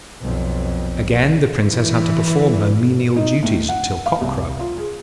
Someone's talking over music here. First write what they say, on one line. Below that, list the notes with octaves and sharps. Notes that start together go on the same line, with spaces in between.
Again the Princess had to perform her menial duties till cock-crow.
B1 F2
E3
D#4
A2
F#5
F5
C2
F4
G#4